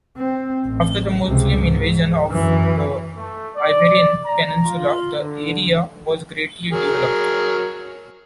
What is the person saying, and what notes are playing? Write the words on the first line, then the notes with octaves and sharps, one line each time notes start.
After the Muslim invasion of the Iberian Peninsula, the area was greatly developed.
C4
A1
C#2 C3
G#2
F#2 E3
A3
D5
A#5
F4
D3
F#3 G#4 A#4